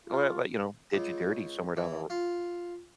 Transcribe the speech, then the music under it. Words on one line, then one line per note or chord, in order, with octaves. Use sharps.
l l, you know, did you dirty somewhere down the ro
F4
C#2
E3
F4